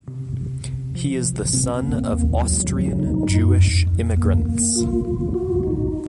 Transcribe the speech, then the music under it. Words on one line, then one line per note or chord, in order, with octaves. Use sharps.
He is the son of Austrian Jewish immigrants.
C3
C3
C3
F3
C3
C4
A#3
D#2
F#3
F#3
D#4
F#2
F2
F2
A#3
A#3
F4
F4
F#4
D#4